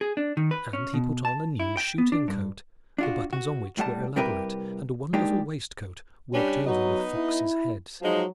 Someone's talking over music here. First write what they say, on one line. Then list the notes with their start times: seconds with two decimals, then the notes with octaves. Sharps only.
And he put on a new shooting-coat, the buttons on which were elaborate, and a wonderful waistcoat worked over with foxes' heads.
0.01 G#4
0.17 D4
0.37 D#3
0.51 B4
0.73 C#4
0.94 B2
1.25 A5
1.60 E4
1.77 G5
1.98 B3
2.12 D4
2.28 G2
2.98 D4 F4 F#4
3.33 F#4
3.78 A2 G3 F#5 A5
4.16 C3 G3 E4 G4 A#4 B4
5.13 G#3 A#3 D4 D#4 G4
6.34 G3 C#4 D4
6.66 F#3 B3 D#4 D#5
7.14 E4
8.02 F3 F#3 G#3 D#4